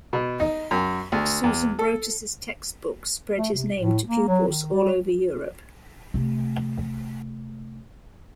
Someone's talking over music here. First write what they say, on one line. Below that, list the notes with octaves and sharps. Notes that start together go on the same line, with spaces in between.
Susenbrotus' textbooks spread his name to pupils all over Europe.
B2
D#4
F#2
D2
E2
A4
A3
C3
A2
A#3
F#3
D#3
G3
C3 A3